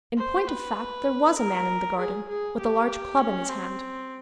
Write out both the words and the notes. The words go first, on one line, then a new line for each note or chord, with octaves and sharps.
In point of fact, there was a man in the garden, with a large club in his hand.
C5
B4
A#4
G#4
G#4
G4
C#4
C4